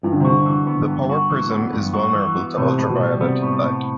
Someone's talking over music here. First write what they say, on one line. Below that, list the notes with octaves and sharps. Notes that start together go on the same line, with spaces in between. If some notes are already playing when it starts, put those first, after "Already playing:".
The Power Prism is vulnerable to ultra-violet light.
G2 E3
D3
C3
D3 F#4
E3
B3
G2
F#4
E3
B3
G2
F#4
E3
B3
A2 C3
A2
B2
G3
C3 B3
A2
A2